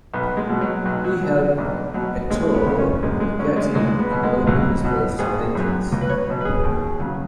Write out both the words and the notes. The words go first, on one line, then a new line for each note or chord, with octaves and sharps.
He helped Ettore Bugatti in developing his first engines.
B1 B3
G#3
B2 F#3
F#3
B1 F#3
F#3
B2 F#3
B1
B2 F#3
D#2 G#3
B3
C#3 F#3
C#4
F#2 G#3
G#3
F#3 C#4
G#3
C#2 G#3
B3
B2 F#3
G#3
C#2 F#3
B2 F#3
G#1 G#4
F#2 F#3
C#2
B4
C#5
B2 F#3
B4
G#4
D#2
C#3 F#3